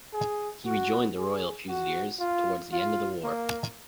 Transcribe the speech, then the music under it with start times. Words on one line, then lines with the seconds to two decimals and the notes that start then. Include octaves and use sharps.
He rejoined the Royal Fusiliers towards the end of the war.
0.13 G#4
0.66 F#4
1.17 G#4
1.69 F#4
2.20 F4
2.73 F4
3.24 A#3